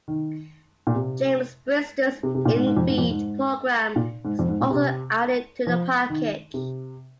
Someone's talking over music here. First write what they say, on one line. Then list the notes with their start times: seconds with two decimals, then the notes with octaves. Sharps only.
James Brister's "innfeed" program was also added to the package.
0.08 D#3
0.87 A#2
0.95 C3
2.23 C3
2.35 C3
2.45 A#2
2.56 G#2
2.66 G#2
2.77 F2
2.88 G#2
2.98 F2
3.10 G#2
3.96 A#2
4.25 G#2
4.39 F2
4.49 G#2
4.60 A#2
4.71 C3
5.67 F3
6.10 D#3
6.54 C3